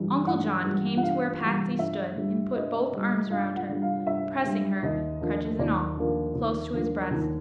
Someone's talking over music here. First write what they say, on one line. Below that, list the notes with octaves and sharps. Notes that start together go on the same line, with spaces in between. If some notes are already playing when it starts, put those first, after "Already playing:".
Uncle John came to where Patsy stood and put both arms around her, pressing her--crutches and all--close to his breast.
Already playing: G2 E3 G3
G2 F#5
E3 G3
F#5
G2 F5
E3 G3
G2 E5
D3 G3
G2 D#5
D3 G3
G2 F5
F#5
D3 G3
F5
G2 E5
D3 G3
D#2 D#5
D3 F3 A#3
D#2 D5
D3 F3 A#3
D#2
D3 F3 A#3
D#2